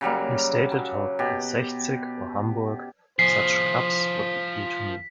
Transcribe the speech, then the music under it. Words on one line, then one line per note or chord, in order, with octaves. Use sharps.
He stated how the Sechzig or Hamburg - such clubs would appeal to me.
C#3 F#3 G3 A#3
F#3
B2 G4
F3 G#4 C5 B6 C7